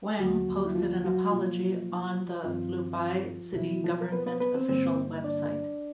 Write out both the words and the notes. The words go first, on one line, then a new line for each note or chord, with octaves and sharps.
Wang posted an apology on the Luobei city government official website.
D#2 D3 F3 F#3 A#3 F#4
E4
F3 F4
F#3 F#4
B2 F3 F#3 A#3 F4
G2 D#3 F3 G3 C4 F4
B2 E3 F#3 B3 E4
F3 F4
A#4
B3 B4
B3 B4
B3 B4
C4 C5
G2 D3 G3 A#3 C4 C5
D4 D5